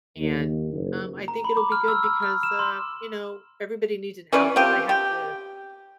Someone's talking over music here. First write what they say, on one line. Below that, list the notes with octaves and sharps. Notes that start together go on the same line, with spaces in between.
and, um, I think it'll be good because, uh, you know, everybody needs an outlet and I have to
D#2
F#1
A#5
B5
D6
F6
E6
E6
F6
E7
C6
E3 C#4 B4 D5
F3 C4 G4
G4